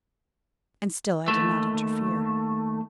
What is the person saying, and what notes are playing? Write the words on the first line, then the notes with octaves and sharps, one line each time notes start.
And still I did not interfere.
D#2 A3